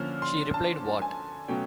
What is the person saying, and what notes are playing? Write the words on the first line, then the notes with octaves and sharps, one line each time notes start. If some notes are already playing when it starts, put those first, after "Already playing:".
She replied: What!
Already playing: D3 F3 A#3 C#4 F6
C6
A5
G#5
B2 F#3 A3 C#4 G5